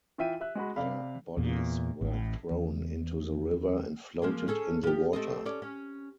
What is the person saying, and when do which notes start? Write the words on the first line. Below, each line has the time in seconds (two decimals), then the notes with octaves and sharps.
Their bodies were thrown into the river and floated in the water.
0.18 E3 F4 E5 G5 D#7
0.40 G4 E5 F#6
0.55 G#3 F#4 B5
0.76 C3 D5 F5 B5
1.37 E2 A#2
2.01 A1 A2
2.51 E2
4.22 F3 G#3 A#3
4.48 C#4 G#4 A4
4.83 F3 G4
5.13 A3 C4 D#5
5.45 C#4 A4 D5
5.62 C#4